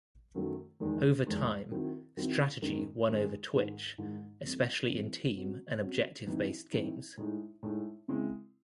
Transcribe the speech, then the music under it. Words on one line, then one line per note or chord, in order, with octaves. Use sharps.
Over time, strategy won over twitch, especially in team- and objective-based games.
F#2 D#3 F#3 A3
E2 D#3 G#3 D#4
E2 D#3 G#3 D#4
D#3 F#3 C4 E4
D#3 F#3 C4 E4
F#2 D#3 G#3 D#4
F#2 D#3 G#3 D#4
G#2 D#3 G#3 D#4
G#2 D#3 G#3 D#4
C3 E3 A3
C3 E3 A3
C3 F#3 C#4
C3 F#3 C#4
A2 E3 C4 D#4
A2 E3 C4 D#4
A2 G#3 D#4
A2 G#3 D#4
C#3 G#3 C4 E4